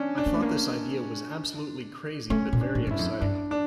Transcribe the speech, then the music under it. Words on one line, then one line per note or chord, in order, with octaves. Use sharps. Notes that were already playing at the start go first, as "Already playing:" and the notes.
I thought this idea was absolutely crazy but very exciting.
Already playing: C#4 D4
D4
A#3
A3
A#3
A3 C#4
A#2
D4
A2
G2 E4
F2
G2 D4
D4